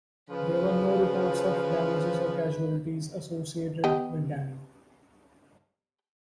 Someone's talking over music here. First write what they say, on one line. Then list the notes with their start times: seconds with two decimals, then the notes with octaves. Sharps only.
There were no reports of damages or casualties associated with Danny.
0.30 C#3 F3 B4
3.84 B3 G4 D#5